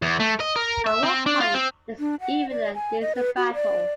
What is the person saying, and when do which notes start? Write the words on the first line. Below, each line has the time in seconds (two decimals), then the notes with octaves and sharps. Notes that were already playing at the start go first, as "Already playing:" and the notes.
At one point there is even a laser battle.
0.02 E2
0.20 A3
0.40 D#5
0.56 A#4
0.86 E5
1.03 C4
1.26 D4
1.40 F4
1.54 C4
1.99 D4
2.21 F#5
2.50 D5
2.74 G#5
3.01 D#5
3.15 B4
3.37 F#4
3.54 D5